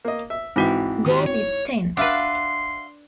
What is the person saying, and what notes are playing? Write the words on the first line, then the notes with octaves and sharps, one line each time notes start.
Go with ten!
A#3 D#5
E5
G#2 E3 C4 F#4 G5
D#3 G4
C#5
D4 F#4 B4 E5 F5 C6